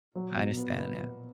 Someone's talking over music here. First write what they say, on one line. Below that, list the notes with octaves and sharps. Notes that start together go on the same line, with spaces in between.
I understand that.
A#2 F#3
B2
B3
B3
B2